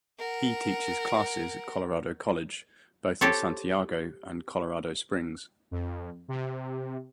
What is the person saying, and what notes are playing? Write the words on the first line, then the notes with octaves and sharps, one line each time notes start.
He teaches classes at Colorado College both in Santiago, and Colorado Springs.
A#4 F#5
G4 A4 C5 C#5
F2
C3